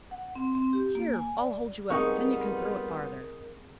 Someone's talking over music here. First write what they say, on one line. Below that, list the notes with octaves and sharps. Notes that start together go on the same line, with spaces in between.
Here, I'll hold you up, then you can throw it farther.
F#5
C4
C4
G4
A#3
G#5
D5
G3 B3 C4 D#4 F4 G#4 A#4 C#6